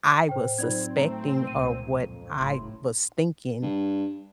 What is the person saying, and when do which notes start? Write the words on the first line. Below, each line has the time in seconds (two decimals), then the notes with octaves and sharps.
I was suspecting or what I was thinking
0.29 A2 C5 G5
0.58 F#3 C4 D#4 F4 C5 D5 G#6
0.97 A3 A#5
1.47 C#2 A#2 D#7
1.94 F2
2.39 F#1 A2 A#5 C6
3.62 G2